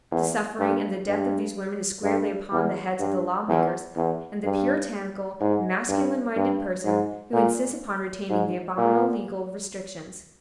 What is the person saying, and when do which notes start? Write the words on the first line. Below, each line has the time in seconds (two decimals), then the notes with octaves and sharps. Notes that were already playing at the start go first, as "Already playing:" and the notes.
The suffering and the death of these women is squarely upon the heads of the lawmakers and the puritanical, masculine-minded person who insist upon retaining the abominable legal restrictions.
0.12 E2
0.59 G2
1.08 G2
2.03 G2
2.52 E2
3.00 G2
3.48 E2
3.96 E2
4.44 G2
5.41 G#2
5.89 G2
6.37 G2
6.85 G#2
7.33 A#2
8.29 G#2
8.78 A#2